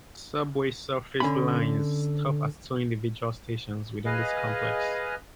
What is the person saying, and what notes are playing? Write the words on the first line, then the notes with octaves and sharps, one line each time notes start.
The Subway-Surface Lines stop at two individual stations within this complex.
D3 C#4 B5
G#4 B4 D#5 F5